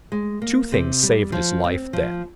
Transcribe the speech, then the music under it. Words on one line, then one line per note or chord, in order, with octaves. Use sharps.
Two things saved his life then.
G#3
A#3
C3
G3
F3
C4
F3